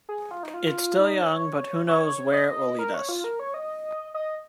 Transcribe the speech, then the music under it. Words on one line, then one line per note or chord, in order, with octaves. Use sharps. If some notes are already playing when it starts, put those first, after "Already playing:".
It's still young, but who knows where it will lead us.
G#4
F4
D#4
F4
D#4
C#5
C#5
D#5
A#4
C#5
F4
A#4
C#5
D#5
D#5